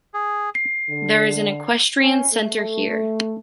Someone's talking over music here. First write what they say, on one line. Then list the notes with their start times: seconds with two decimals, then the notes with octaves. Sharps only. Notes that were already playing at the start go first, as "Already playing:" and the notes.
There is an equestrian center here.
0.14 G#4
0.90 D3
2.02 C#4
2.33 A3